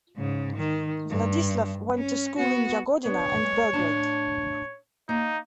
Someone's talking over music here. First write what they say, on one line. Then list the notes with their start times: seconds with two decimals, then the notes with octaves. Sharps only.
Vladislav went to school in Jagodina and Belgrade.
0.17 G#2 C#3
0.56 D#3
1.10 G2
1.98 C#4
2.38 B3 F#4
3.06 B3 D4 C#5
3.43 G#3 A3
3.73 A2 D4 A5
5.09 A#3 D#4